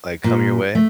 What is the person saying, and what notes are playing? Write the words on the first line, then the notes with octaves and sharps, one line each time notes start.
like, come your way.
A#2
A3